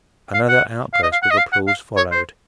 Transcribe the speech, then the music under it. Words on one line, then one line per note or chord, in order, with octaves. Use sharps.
Another outburst of applause followed.
F5
F#5
F5
D#5
F5
F#5
D#5
F5
F#5
F5
C#5
C5